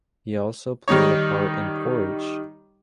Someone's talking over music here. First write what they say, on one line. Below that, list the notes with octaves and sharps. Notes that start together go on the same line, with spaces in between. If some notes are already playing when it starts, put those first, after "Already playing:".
He also played a part in "Porridge".
D#3 G3 D#4 C#5